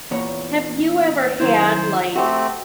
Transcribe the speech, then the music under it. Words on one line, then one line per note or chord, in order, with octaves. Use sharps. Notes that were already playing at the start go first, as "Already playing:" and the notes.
Have you ever had, like
E2 A#2 C#5
F#2 D#3 E4 C5
A3 C4 F#4 G4